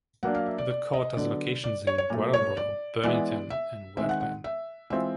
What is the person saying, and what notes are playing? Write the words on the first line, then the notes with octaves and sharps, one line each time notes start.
The court has locations in Brattleboro, Burlington, and Rutland.
F#3 A#3 D4 F#5
F5
E5
D5
D5
D#5
D3 F#3 B3 D5
D5
C#5
C#5
A#2 F#3 A3
C#5
D5
E3 G#3 B3 E4 D5
E5
D#3 G#3 C4 E5
F#5
F#5
E5
E3 G#3 C4 F4 E5